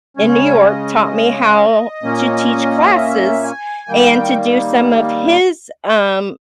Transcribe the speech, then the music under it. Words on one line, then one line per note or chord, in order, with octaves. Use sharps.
in New York taught me how to teach classes and to do some of his, um,
C#3 G#3 C#4 C#5
D#5
A#2 A#3 C#4
E5
G#5
D#3 G3 A#3 G5